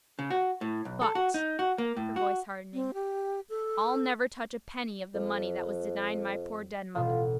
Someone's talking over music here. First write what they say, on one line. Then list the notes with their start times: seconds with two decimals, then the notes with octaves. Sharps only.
But," her voice hardening, "I'll never touch a penny of the money that was denied my poor dead mother.
0.19 C#3
0.30 F#4
0.61 A2
0.85 B1
1.02 A4
1.15 F#4
1.34 D#4
1.59 F#4
1.78 A#3
1.97 A2
2.16 F#4
2.74 C4
2.94 G4
3.49 A4
5.14 F2
6.95 A1 B2 F4